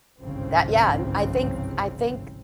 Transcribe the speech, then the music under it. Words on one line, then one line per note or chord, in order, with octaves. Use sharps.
that, yeah, and I think I think,
G1 C2 G#2 C#3 F3 C4